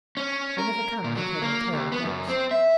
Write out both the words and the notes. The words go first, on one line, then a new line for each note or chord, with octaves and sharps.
I never can make head or tail of those.
C#4
A#4
A#2
F#3
A#3
D#2
B3
F#2
C4
E5